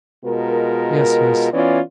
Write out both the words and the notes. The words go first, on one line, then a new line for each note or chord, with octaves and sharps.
Yes, yes.
B2 G#3 F4 A#4
E3 B3 C#4 F4 D5